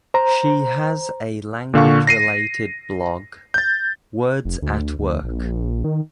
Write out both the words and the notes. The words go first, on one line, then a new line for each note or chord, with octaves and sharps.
She has a language-related blog, Words at Work.
C5 A#5
A#2 D3 F5 C#6
A#6 C7 D#7
G6 A6
F1
D2
D2
A#1
D#3